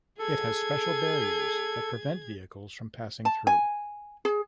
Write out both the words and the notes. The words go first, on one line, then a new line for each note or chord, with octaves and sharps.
It has special barriers that prevent vehicles from passing through.
G#4 A4 G#6
A5
G#5
G#4